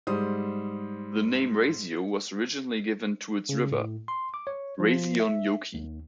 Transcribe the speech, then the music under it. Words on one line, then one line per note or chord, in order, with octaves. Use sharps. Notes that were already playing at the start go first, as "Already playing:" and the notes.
The name "Raisio" was originally given to its river, Raisionjoki.
G#2 G3 C5 D#6
C#3
A2
C6
D6
C#5
F3
E5
D#2